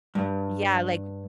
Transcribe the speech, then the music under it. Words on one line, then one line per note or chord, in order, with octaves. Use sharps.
Yeah, like
G2